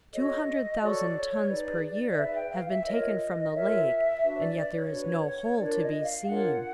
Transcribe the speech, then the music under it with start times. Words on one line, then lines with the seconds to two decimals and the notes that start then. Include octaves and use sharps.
Two hundred thousand tons per year have been taken from the lake and yet there is no hole to be seen.
0.13 F#4 A4 C#5 D#5
0.81 F#4 A4 C#5 D5
1.15 C#5
1.49 D#4 G#4 B4 D5
2.18 D#4 G#4 B4 E5
2.35 G5
2.51 F5
2.68 E5
2.86 F4 A#4 C#5 D#5
3.54 F4 A#4 C#5 E5
4.22 D4 F#4 B4 E5
4.35 C#5
4.39 D5
4.56 D5
4.73 C#5
4.90 D4 F#4 B4
5.58 D4 F4 A#4 C#5 D5
5.81 D#5
6.04 F5
6.27 D4 F4 A#4 C#5 F#5